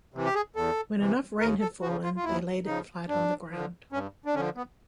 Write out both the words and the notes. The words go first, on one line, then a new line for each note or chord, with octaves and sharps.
When enough rain had fallen, they laid it flat on the ground.
C3 E3
G4
G#4
E2 A4
C3 E3
D#2 A#4
A4
C#3 F3 F#4
F4
F4
D#2 E4
C#3 F3 D#4
G2 D4
D3 F3
G2 C#4
D4
D3 F3 C#4
B3